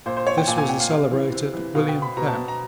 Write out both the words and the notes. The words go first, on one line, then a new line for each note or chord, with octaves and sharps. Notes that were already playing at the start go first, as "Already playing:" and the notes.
This was the celebrated William Penn.
A#2 C5
C5
C#5
G5
A#2 G#5
G#5
G5
F5
C3 F5
E3
C3
E3
B2 F5
G5
B5
B2 A#5
A5
A#5